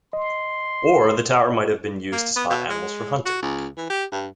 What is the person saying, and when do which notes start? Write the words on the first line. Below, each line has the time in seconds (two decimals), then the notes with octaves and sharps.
Or the tower might have been used to spot animals for hunting.
0.13 D#5 C6
2.12 A#3
2.36 B3
2.50 B2
2.70 G#3
3.26 F#4
3.42 C#2
3.78 E3
3.90 G4
4.12 G2